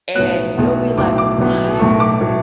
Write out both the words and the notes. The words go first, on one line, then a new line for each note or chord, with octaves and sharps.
And you'll be like, "What?"
B1 A2 F#3 B3 F#6
B1 A2 F#3 B3
B1 A2 F#3 B3 D6
D6
B1 A2 F#3 B3
B1 A2 F#3 A3 C#6
D6
A2 F#3 A3